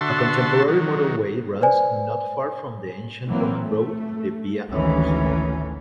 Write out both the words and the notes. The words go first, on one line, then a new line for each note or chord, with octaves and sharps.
A contemporary motorway runs not far from the ancient Roman road, the "Via Augusta".
D3 F#4 E5 A5 C6
D#3 F#3
B4 C5 D5 G#5
E3 F#3 A#3 C4
A3
G#1 D2 D#3 E3 A3 C#4